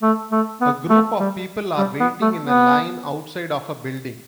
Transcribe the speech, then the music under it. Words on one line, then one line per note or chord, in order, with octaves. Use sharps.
A group of people are waiting in a line outside of a building.
A3
A3
B3
A3
G3
G3
B3
A3
B3